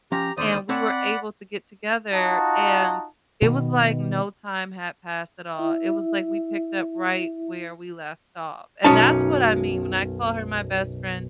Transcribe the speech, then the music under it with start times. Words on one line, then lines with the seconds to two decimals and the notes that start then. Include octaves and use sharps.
and we were able to get together. And it was like no time had passed at all, it was, like, we picked up right where we left off. And that's what I mean when I call her my best friend.
0.12 F3 C#4 G4 A#5
0.37 D#2 D3 C5 D5 D#6
0.69 C4 C#5 D5 F#5 A5 B5
2.12 D#4 F4 F#4 A5
3.42 B2 D#3
5.55 E4 E5
8.84 B1 F#2 C#4 D#4 A5